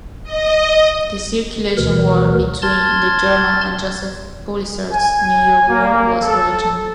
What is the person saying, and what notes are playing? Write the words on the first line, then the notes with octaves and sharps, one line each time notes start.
The circulation war between the "Journal" and Joseph Pulitzer's "New York World" was raging.
D#5
D2 B2 D#3 E3 A#4
A5 C6 F6 G#6 A6
G#5
A#3
A4